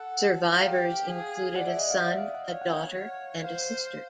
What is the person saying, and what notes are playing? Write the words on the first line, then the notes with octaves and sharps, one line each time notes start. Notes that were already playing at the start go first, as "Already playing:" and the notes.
Survivors included a son, a daughter and a sister.
Already playing: A4 F#5
G4 F5
G#4
D5 F#5
E5
D#5
F5
D5 E5
F5
F#5
C#5 F5
F#5
F5
C5 F5